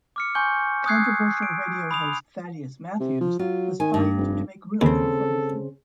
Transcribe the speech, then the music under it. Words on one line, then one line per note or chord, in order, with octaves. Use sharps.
Controversial radio host Thaddeus Matthews was fired to make room for Ferguson.
D6 F6 C#7
G#5 C6 C#6 G6
D#6 E6 F#6 G#6 C7
D7
B5 D#6 F7
C3
F3
F#3 F4
D#3 G#5
G2
F1
D#2 C#3 C4 A4